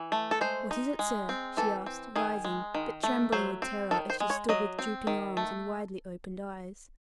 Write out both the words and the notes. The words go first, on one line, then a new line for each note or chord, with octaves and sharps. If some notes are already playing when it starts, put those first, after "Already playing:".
"What is it, sir?" she asked, rising, but trembling with terror, as she stood with drooping arms and widely opened eyes.
Already playing: E3
A3
A4
G#3 C5
D#4
G#3
C4
E3 A4
C4
D#3 G#4
G#3
D#3
A3
F#3 C5
C4
D#3 A4
C5
G#3
C#5
F#3 D#5
C4
D#3
A3